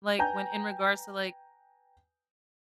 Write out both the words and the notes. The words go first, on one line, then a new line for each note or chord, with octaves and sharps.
like, when in regards to, like,
B4 G5 G#5 A#5 G6